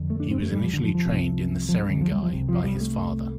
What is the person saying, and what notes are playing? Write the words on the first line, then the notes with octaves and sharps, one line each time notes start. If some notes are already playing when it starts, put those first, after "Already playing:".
He was initially trained in the sarangi by his father.
Already playing: F2 D3
A3
D4
C4
A3
G3
F3
D3
F3
F3
C2 C3
F3
G3
D3
F3
G3
F3
C2 C3
F3
G3
A3